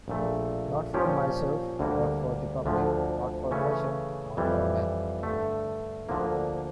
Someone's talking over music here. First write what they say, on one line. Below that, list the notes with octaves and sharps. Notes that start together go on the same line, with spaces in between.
Not for myself, not for the public, not for fashion, not for men.
A#1 A#2 A3
A#2 F3 C#4 G4
D2 D3 G3 A#3
D2 D3 F3
C#3 E3 A3 C#4
F2 E3 G3
G2 D3 A3
D2 D3 F3 A#3